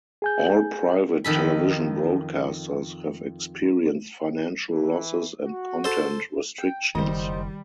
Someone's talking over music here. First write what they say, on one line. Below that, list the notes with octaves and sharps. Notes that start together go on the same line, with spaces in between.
All private television broadcasters have experienced financial losses and content restrictions.
G#4 G#5 G6
F2 D#3 A4 B5
E3
F#4
A4 C5
G5
F#1 D#3 G3 D#4 C5